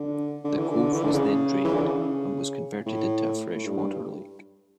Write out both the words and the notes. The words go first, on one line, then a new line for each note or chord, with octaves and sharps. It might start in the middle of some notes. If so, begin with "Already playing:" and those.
The cove was then drained and was converted into a fresh-water lake.
Already playing: D3
D3
E3
D3
E3
D3
C#3
E3
D3
C#3
A2
A2
G2
G2